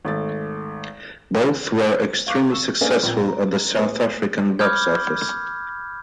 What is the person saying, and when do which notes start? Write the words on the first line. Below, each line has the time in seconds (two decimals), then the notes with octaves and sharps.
Both were extremely successful at the South African box office.
0.05 G#1 A3 A6
2.27 F5 C#6 D6 F#6
2.52 C#6 E6
2.81 A#3 C#4 D4 G#4 A#4 C5
3.03 A#1 A#2 C4 B4
3.28 A#5
3.75 A2 B3 G#4
4.59 B5 D6 D#6 F6 G6 G#6